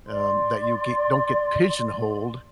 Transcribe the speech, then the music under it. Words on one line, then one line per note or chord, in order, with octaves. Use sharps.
um, that you get don't get pigeonholed
D5 C6